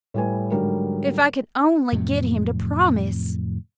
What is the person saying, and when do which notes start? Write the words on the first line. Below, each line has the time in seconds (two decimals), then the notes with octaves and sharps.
"If I could only get him to promise!"
0.14 A2 G3 B4 G#5
0.52 G#2 D3 F#3 G3 A#4
1.93 F2 A2 C3 F#3